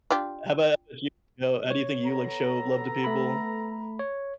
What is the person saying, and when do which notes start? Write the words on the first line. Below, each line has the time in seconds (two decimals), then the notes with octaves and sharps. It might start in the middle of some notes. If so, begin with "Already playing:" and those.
How 'bout uh, you know how do you think you, like, show love to people?
0.10 D4 F4 G4
1.71 C#5
2.03 B3 A4 A#5
3.04 A3 B5
4.00 C#5